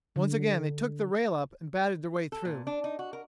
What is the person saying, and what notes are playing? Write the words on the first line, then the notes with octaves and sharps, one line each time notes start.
Once again they took the rail up and battered their way through.
D3
A4
A#2
D4
D#4
F#4
A#4